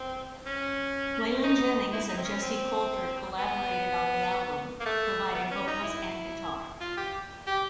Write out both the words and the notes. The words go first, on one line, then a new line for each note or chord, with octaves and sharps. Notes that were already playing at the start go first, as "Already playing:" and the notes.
Waylon Jennings and Jessi Colter collaborated on the album, providing vocals and guitar.
Already playing: C4
C#4
D#4
E4
D#4
C4
C#4
C4
B3
A#3
A3
B3
C#4
D#4
E4
F4
G4
G4